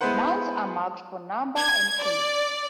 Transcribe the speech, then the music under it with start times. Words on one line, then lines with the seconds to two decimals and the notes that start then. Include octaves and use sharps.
Nouns are marked for number and case.
0.01 G#3 B3 E4 B4 C5 F#5
1.58 G#6
2.02 D5